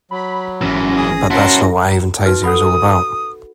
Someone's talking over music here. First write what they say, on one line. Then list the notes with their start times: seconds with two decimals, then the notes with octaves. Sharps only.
But that's not what Avantasia is all about.
0.11 F#3 B5
0.62 G#1 F#2 E3 C#4 A#6
0.97 G#4 D#6
1.31 C#4 E4 F#4 A#4 F#5 A5 C6 A#6
1.92 A#5
2.26 D#4 F#4 B4
2.44 A4 F#5 B5 D#6